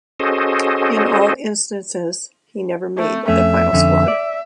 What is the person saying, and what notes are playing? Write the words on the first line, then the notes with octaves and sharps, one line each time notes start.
In all instances he never made the final squad.
C#4 F#4 G#4 A4 C5 D#5
A3
F2 A3 C#4 E5
F2 D3 C#4
D5